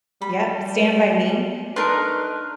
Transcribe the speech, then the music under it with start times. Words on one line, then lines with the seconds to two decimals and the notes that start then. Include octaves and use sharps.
Yep, Stand By Me,
0.22 G3 B5
1.76 A3 D4 D#4 A#4 B4 C6